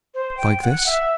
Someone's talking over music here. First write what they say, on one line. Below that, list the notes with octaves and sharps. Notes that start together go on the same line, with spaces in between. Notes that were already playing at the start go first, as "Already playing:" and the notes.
"Like this?"
C5
G5
F#5
E5